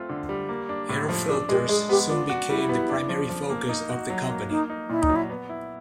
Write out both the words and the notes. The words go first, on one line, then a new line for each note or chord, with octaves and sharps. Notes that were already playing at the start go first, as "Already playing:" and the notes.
Air filters soon became the primary focus of the company.
Already playing: A3 C4 F4
D3
G3
A#3
D4
A2
F3
D4 G#4
G#3 G4
G#3 G#4
B3 G4
D4 F4
F#4
G3 E4
B3
D4
F3
F3
A#3
D#4
F#4
F#3
A#3
A#3 D#4
D#4
A#2 E4
D#4
F#3
E4
B3
E4